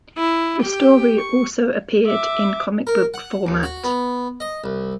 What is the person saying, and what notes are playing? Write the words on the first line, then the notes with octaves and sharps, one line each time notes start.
The story also appeared in comic book format.
E4
G4 G5
C#6
E5 D6
A#4
F#5
D#2
F#4
B3
D#5
C2